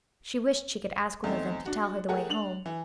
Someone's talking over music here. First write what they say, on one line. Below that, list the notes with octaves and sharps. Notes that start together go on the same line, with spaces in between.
She wished she could ask one of them to tell her the way home.
E2 A3 C4 D#4
D4 F#4
A3 G4 G#4 A#4 F#5
D4 F7 F#7
E3